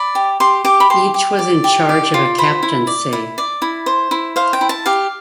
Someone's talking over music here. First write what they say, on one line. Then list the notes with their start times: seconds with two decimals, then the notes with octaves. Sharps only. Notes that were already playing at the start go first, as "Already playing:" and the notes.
Each was in charge of a captaincy.
Already playing: D5 B5
0.15 G4
0.40 G4 C6
0.65 G4 D6
0.80 B5
0.90 G4 C6
1.14 G4
1.39 D5
1.64 G4
1.89 D5
2.14 F4
2.38 C5 B5
2.63 E4
2.87 D5
3.13 E4
3.38 D5
3.62 E4
3.86 C5
4.11 E4
4.36 C5 F5
4.53 G5
4.61 E4
4.69 A5
4.86 G4 F5